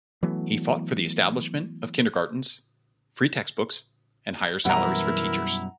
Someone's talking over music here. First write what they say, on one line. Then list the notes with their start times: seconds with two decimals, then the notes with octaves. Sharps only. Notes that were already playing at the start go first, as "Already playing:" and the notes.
He fought for the establishment of kindergartens, free textbooks, and higher salaries for teachers.
0.23 E3 F#3 A3 B3
4.65 F#2 B2 E3 G3 E4 A#4 F#5 A#5